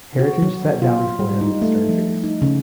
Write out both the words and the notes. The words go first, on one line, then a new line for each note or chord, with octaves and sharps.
Heritage sat down before him with a stern face.
F#4
F#3
F4
G3
D#4
A3
F3
D#4
C#3